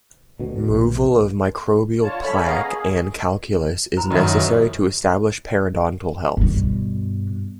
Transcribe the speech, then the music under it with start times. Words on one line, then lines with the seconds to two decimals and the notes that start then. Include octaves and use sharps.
Removal of microbial plaque and calculus is necessary to establish periodontal health.
0.39 D2 B2
0.68 A#1
2.03 D3 F4 C#5 A5
2.23 A3 C#4 C#5 B5
2.46 A#3 B3 C#4 G#4 D#5 F5
2.61 G#4
3.97 C5 A#5 B5
4.10 F#2 D#3 A4 D#5 E5
4.22 F#4 C5 C#5
4.37 A4 B4
6.37 G2 B2